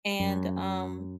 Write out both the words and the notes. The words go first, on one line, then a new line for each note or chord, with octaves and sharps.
and, um
F#2